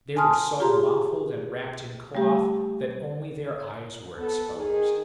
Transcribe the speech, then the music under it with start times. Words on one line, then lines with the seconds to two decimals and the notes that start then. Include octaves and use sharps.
They were so muffled and wrapped in cloth that only their eyes were exposed.
0.16 G#5 A5 C6 D#6 F6
0.60 F4 G4 G#4 A#5 C6
2.15 G3 A3 G4
4.17 B3 A4
4.55 D#3 G#4